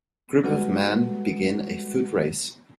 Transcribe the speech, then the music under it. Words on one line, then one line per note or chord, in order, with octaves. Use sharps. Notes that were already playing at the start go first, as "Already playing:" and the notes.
Group of men begin a foot race.
G3 G#3 F#4 A4 B4 F#5